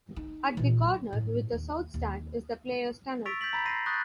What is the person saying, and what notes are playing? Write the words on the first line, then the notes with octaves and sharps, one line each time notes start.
At the corner with the South Stand is the players' tunnel.
D#4
A#2 E3
D3 F#3
A2
D#2
D#2
C#6 E6 A6 B6 D7 F7
G6 A6 B6 F#7
A#5 B5 B6
C6 A#6 C7 D#7
C#6 D#6 F#6 G6 A6 A#6